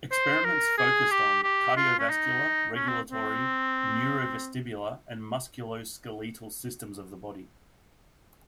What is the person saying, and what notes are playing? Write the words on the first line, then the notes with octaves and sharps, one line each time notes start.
Experiments focused on cardiovascular, regulatory, neurovestibular and musculoskeletal systems of the body.
C5
A#4
G#4
G4
G4
F4
C#4
D#4
C#4
C4
C4